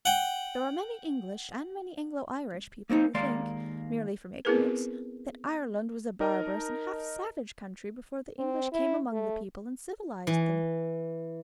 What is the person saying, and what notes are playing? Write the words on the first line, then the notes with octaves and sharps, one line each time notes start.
There are many English and many Anglo-Irish people who think, merely from ignorance, that Ireland was a barbarous and half-savage country before the English came among the people and civilised them.
F#5 G5
A#3 C4 D4 D#4
D#2 G#3 A#3 A#4 D5 C6
B3 C4 E4 G#4 A#4 B4
D#4 A#4 D#5 A5 A#5
C4
E4
A3
E3